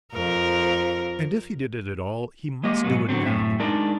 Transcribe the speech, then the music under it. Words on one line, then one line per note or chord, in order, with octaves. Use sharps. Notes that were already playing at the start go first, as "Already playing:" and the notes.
And if he did it at all, he must do it now.
F2 A#4
G#3 A#3 G4 D#5
G#2 F#3 B3
D3 F#3 B3 C4
F#2 A2 C4 E5
G#3 D4 D#4 A#4 D5